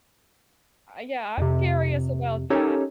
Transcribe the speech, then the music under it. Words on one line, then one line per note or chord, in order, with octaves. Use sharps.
Uh, yeah, I'm curious about that.
F2 C3
C#4 D#4 G4 A4 A#4 C#5